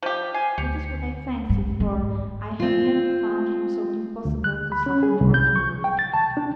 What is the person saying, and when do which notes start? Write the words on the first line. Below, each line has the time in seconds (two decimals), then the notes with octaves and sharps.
That is what I fancy, for I had never found him so impossible to soften or to move.
0.03 F3 G4
0.34 G#5 C7
0.58 D2 G4 C#7
1.50 G#2
1.80 G#2
2.60 C4 F4
4.25 D2
4.44 F#6
4.72 B5
4.86 C#4
5.03 G#4
5.21 C2
5.34 G6
5.56 C#6
5.84 G5
5.99 A6
6.13 A5
6.37 D4